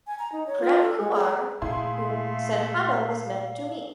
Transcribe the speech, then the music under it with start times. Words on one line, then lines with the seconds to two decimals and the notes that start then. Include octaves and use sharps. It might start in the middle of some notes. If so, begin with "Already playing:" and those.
Prem Kumar, whom Sanjana was meant to meet.
0.07 G#5
0.19 A#5
0.32 D#4
0.47 C#5
0.60 F4
0.82 A4
0.99 G#3
1.12 G#4
1.62 A#2 A3 E4 G#4 F5 C6